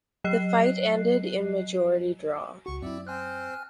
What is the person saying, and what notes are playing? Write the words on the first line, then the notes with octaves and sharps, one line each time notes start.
The fight ended in majority draw.
F#3 D#5 F#6 C7
C#2 F#4 C#6
F#2 C4 E4 D5 E5
C4 C5 G#5 F6 F#6